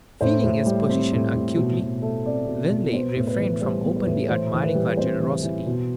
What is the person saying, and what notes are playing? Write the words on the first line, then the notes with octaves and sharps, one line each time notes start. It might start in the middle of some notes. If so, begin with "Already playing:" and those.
Feeling his position acutely, Linley refrained from openly admiring her generosity.
A2 C5
A2
G3
C4
A2
A2
B2
B2
A3
C4 D5
B2
B2
B3 C5
A2
B4
E3
G3 C5
B3
B4
A2
E3 C5
E3
B4
G3
C4 C5
E3
E3
B2